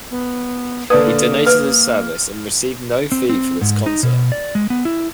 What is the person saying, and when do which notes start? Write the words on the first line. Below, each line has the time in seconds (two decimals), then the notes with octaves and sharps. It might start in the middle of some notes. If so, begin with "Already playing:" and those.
He donated his services and received no fee for this concert.
0.11 B3
0.90 D3 A#3 D4 B4 D#6
1.46 B4 F6
3.12 C4
3.29 C4
3.61 G#2
3.86 D#4
4.03 B2
4.32 D5
4.55 G#3
4.70 B3
4.85 E4